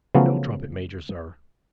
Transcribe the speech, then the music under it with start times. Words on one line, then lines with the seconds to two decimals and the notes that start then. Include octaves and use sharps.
'No, trumpet-major, sir.
0.15 C#3 F3 F#3 A3 B3 C#4